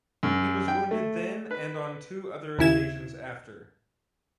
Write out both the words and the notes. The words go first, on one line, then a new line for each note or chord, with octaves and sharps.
He was wounded then and on two other occasions after.
F#2
G5
A3
B4
D#2 C#3 E4 G#6 E7